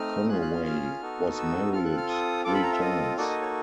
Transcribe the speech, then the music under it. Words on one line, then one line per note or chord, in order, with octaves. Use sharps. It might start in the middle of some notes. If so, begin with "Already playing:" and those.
Conaway was married three times.
Already playing: A3 C4 D#4 F6
C#4 F4 G#4 F#6
F#6
F6
F6
B3 D#4 F#4 A4
E6
C4 F4 A4 F6
F#6
F6
D#6
C4 F4 A4 D6
B5
A#5
E5
D#5
A#3 D#4 F#4 A4 D5
D#5
C#5